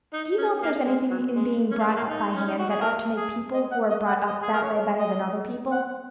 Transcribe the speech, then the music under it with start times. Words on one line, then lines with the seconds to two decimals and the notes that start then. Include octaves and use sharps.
Do you know if there is anything in being brought up by hand that ought to make people who are brought up that way better than other people?
0.13 D#4
0.38 C#4
0.62 A#3
0.85 G#3
1.10 F#3
1.35 G#3
1.71 C#4
1.79 A#3
1.88 G#3
1.96 A#3
2.08 D#4
2.35 C#4
2.47 D#4
2.59 F#4
2.69 G#4
2.81 A#4
3.17 G#4
3.54 D#5
3.72 F#5
3.90 D#5
4.08 F#5
4.26 D#5
4.42 G#4
4.53 A#4
4.63 C#5
4.99 D#5
5.72 F#5